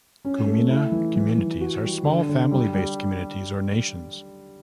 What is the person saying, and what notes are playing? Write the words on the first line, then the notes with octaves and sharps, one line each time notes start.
Kumina communities are small family based communities or nations.
C#4
A3
E4
E3
E3
E3
F#4
G3
D3
D3
G3
G3